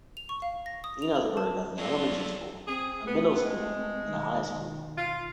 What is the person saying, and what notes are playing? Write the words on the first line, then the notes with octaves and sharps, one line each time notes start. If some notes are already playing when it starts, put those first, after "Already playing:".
Enosburgh has an elementary school, a middle school, and a high school.
F7
C#6
F5
A#6
D#6
F7
A4
A5
F#3 F4 A4 D5
C4 G#4
A3 B3 C4
G#3
B2 D#3
F4